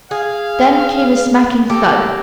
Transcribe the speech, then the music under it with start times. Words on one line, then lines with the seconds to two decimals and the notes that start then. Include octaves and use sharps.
Then came a smacking thud.
0.11 G#4 F5
1.70 G4 A4 A#4